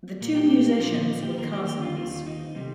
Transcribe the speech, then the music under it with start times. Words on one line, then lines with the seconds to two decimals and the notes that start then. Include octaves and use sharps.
The two musicians were cousins.
0.21 A#2 A#3
0.35 G4
0.49 G4
0.79 A#2 F3 A#3 F4
0.93 D#4
1.23 G4
1.37 F2 D#3 A#3 A#4
1.52 G4
1.67 G4
1.82 F4
1.97 D#2 D#3 C4 F4
2.11 F4
2.26 D#4
2.55 C3 G3 C4